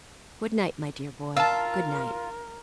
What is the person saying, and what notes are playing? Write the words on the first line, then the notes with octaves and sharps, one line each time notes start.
Good-night, my dear boy, good-night.
F4 A#4 A5 E6